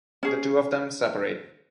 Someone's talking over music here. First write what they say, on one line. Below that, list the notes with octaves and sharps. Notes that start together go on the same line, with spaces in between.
The two of them separate.
C#4 G#4